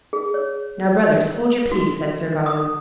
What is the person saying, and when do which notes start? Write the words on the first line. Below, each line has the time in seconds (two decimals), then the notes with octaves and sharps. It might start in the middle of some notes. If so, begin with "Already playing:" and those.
"Now, brothers, hold your peace," said Sir Gawain.
0.13 G#4
0.34 C#5
1.72 F#4
2.46 D#6